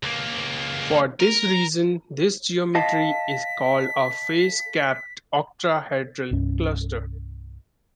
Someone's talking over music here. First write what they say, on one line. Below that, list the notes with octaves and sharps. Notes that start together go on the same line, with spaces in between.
For this reason this geometry is called a face capped octahedral cluster.
C#2 A#3
A#4
D#5 F5 A5 B6
C2 G2 C#4